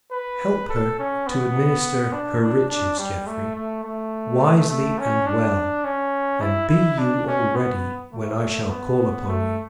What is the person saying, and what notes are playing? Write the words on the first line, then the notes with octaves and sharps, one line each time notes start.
Help her to administer her riches, Geoffrey, wisely and well; and be you all ready when I shall call upon you.
B4
A4
C#4
B3
D4
D4
D4
G3
A3
A3
A3
A3
C#4
D4
C#4
E4
E4
D4
C#4
B3
A3
B3
A3